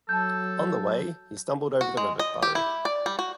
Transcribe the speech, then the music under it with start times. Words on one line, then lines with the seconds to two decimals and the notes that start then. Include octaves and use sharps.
On the way, he stumbled over the rabbit burrow.
0.09 F#3 A4 A5 G6
1.81 F#4
1.97 G#3
2.19 D#5
2.42 G4
2.55 E4
2.85 D5
3.06 G3
3.19 F#4